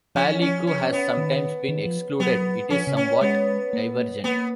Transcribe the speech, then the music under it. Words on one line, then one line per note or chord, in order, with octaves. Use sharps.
Palyku has sometimes been excluded; it is somewhat divergent.
F3 C#4
C#4
C#4
B3
D#3
D#3
F3
F#3 B3
F3 C#4
C#3
C#4
G#3 B3
A#3
A#3 B3